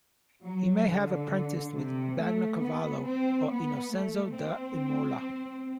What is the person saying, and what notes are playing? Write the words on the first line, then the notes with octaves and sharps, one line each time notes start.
He may have apprenticed with Bagnacavallo or Innocenzo da Imola.
F#3
D3
C3
A3
B3
C4
B3
A3
C4